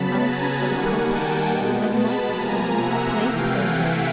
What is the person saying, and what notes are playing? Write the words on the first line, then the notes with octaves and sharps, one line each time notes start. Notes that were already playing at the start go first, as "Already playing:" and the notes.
Alison's got a puppy, and Michael's been eating plate-powder.
Already playing: C#3 F#3 B3 A5 B5
G#5 A#5
D#3 G3 A#3 F#5 G#5
G5 A5
B2 G#3 B3
A5 B5
C3 F3 A#3 G#5 A#5
E5 F#5
C3 E3 A3 F5 G5
F#5 G#5
E5 F#5